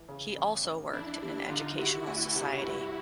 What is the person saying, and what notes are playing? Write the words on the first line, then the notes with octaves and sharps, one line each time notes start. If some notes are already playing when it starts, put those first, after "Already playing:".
He also worked in an educational society.
Already playing: E3
C#3
A1
A1
F2 D4 E4
G3
D3 D#4 F4
G3 E4 F#4
D2 E4 F#4
C3
G2